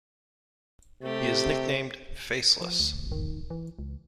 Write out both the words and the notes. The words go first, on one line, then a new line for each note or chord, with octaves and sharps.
He is nicknamed "Faceless".
C3 A3 G4
F3
D2
D#3
E3
C#2